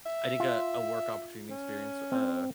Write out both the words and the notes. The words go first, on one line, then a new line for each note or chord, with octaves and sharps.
I think a a work opportunity experience w uh,
E5
F4
C#4
C4